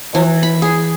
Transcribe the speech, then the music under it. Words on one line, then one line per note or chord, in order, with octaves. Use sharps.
old memories.
E3
B5
G#4